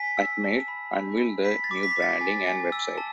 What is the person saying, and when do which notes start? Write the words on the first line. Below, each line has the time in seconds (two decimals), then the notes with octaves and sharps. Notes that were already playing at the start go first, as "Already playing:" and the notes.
Atmail unveil their new branding and website.
Already playing: G#5 B6
0.17 E6
0.44 A5
0.68 B5
0.93 B5
1.20 B5
1.45 B5 B6
1.64 A6
1.71 D6
1.83 B6
1.96 D6
2.02 A6
2.21 G#5
2.47 G#5
2.72 E6
2.98 A5